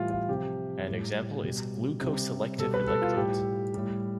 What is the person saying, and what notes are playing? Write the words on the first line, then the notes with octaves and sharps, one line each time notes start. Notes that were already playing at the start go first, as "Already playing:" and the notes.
An example is glucose selective electrodes.
Already playing: A2 E3 G3 F4
F4
C3 F3 G4
A2 G3
B2 G3
C3 G3
B2 G3 A4
B4
A4
F4
A2 G3 G4
A2 G3